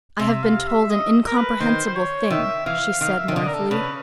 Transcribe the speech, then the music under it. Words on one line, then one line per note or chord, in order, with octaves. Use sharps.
"I have been told an incomprehensible thing," she said mournfully.
C3 E5
F5
E5
D#5
A#4
B4
D#3 C5
C5
C#5
D#3 E5
E3 F5
D#3 F5
E5
D#3
D3 D#5
A#4
A4
C#3 B4